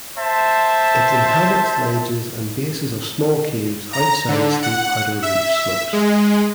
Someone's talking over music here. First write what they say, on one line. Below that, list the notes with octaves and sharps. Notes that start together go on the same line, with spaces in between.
It inhabits ledges and bases of small caves outside steep outer reef slopes.
C5 E5 A5
A#5
D3
F#5
E5
G#3